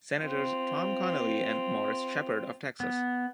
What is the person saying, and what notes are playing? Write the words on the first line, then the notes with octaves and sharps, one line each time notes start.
Senators Tom Connally and Morris Sheppard of Texas.
C4 F4
B3